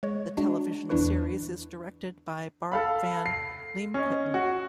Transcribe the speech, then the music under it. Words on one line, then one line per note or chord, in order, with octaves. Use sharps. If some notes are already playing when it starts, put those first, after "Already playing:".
The television series is directed by Bart Van Leemputten.
G#3 C#5
G#3 D4 F#4
E2 E3 D4 E4 B4 C#6
A4 F5 B5
C7
C#4 D#5
F#4